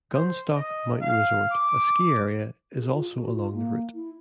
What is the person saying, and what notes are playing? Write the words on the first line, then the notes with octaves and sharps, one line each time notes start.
Gunstock Mountain Resort, a ski area, is also along the route.
C5
D#5
F5
D6
G#4
F4
F#4
F4
A#3
E4